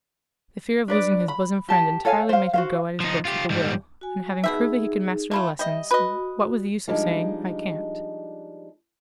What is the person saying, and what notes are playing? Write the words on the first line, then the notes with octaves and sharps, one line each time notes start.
The fear of losing his bosom friend entirely made him go at his books with a will; and having proved that he could master the lessons, what was the use of saying "I can't?"
D4 B4 D5
B5
G4 A5
A4 C#5 F5 G#5
C5 F5
F#4 C5 F5
F3 D#4
F4 G4
G#2 G3
F#4 G#5
B2 C4 D#4 G#4 E5
A3 E4 F4
G3 D#5 E5
F#4 B4 D#5
F3 G3 G#3 D4 D#4 D#5